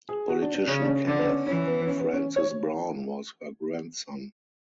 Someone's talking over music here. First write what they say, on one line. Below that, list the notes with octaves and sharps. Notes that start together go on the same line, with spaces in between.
Politician Kenneth Francis Brown was her grandson.
G#4
F#4
D4
D4
C#3 C#4
D4
C#4
D3 D4
B3
C#4
E3 C#4
B3
B3
C#4
B3
C#4
C#5